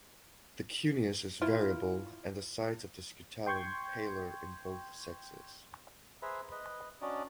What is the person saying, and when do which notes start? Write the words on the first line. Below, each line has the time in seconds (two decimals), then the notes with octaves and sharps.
The cuneus is variable and the sides of the scutellum paler in both sexes.
1.42 E4 F4
3.46 G5 C6 C#6 G6 G#6
6.22 G#4 B4 C5 E5 A#5 B5
6.52 B4 D#5
7.02 C#4 D4 F#4 D5 D#5 A#5